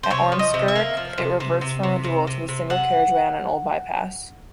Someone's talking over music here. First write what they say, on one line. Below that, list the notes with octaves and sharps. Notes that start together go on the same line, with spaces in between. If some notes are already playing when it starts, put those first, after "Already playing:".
At Ormskirk, it reverts from a dual to single carriageway on an old bypass.
C5
C3 C#5
F3
D#5
C3
E5
A#3
F3
C3
C3
C3
C3
C3
C3
C3
C3 F#5